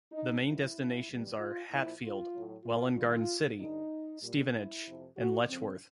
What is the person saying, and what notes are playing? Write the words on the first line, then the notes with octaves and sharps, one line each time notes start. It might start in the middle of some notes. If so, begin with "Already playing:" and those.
The main destinations are Hatfield, Welwyn Garden City, Stevenage, and Letchworth.
D#4
G#2 D#3 F#3 E4
E2 B2 G3
F4
A#2 F3 E4
F4
A2 F#3
F4
D#2 D#3 G3 F4
G2 D3 G3 D#4
A#2 G3
E4
F2 C3 F3
F#4
F2 C#3 F3 C4